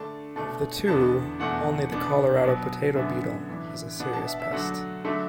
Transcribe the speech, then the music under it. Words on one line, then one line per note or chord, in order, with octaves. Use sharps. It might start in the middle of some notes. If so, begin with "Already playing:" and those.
Of the two, only the Colorado potato beetle is a serious pest.
Already playing: D3 A3 D4 A5
B2 A3 D4 A5
E2 D3 B3 D4 A5
E2 B2 A3 D4 F#5
B2 B3 D4
B2 F#3 B3
F#2 D3 B3 D4 E5
A2 E3 D4
B2 B3 D4 F#5
A5
E5
E5
D3 F#3 A3 D4 F#5
D3 F#3 A3 D4 E5